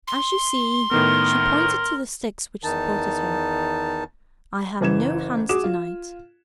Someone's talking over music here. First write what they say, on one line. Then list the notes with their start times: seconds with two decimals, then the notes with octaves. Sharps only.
As you see"--she pointed to the sticks which supported her--"I have no hands to-night.
0.08 C6
0.91 A2 D#3 B3 A#4
2.64 E2 D#3 D#4 A5
4.81 F#1 E3 G#6 E7
5.49 F#4 G#4 D6 E7
5.64 F4